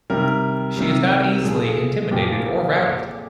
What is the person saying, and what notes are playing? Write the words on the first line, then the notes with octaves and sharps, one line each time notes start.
She is not easily intimidated or rattled.
C3 D#3 G3 A#4
C3 D#3 G3
A#2 F3 G#4
A4
G#4
A#2 F3 G4